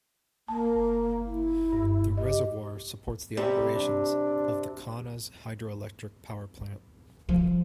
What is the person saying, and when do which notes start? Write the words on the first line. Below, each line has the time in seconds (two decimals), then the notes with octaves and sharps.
The reservoir supports the operations of the Kaunas Hydroelectric Power Plant.
0.48 A#3 A5
1.25 E4
1.72 G2
2.17 G4 D#5
3.37 C3 G3
3.75 D4
7.29 F3